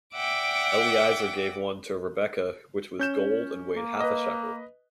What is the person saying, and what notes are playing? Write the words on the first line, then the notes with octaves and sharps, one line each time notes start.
Eliezer gave one to Rebekah which was gold and weighed half a shekel.
D5 E5 F#5 G5 D6
C#4 G6 E7
A#3
B4 D#5